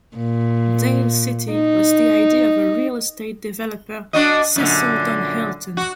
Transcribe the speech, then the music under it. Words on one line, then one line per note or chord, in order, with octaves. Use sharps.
Dale City was the idea of a real estate developer, Cecil Don Hylton.
A#2
D#4
D4 F#4 D#5
F#2 A#2 D3
F#4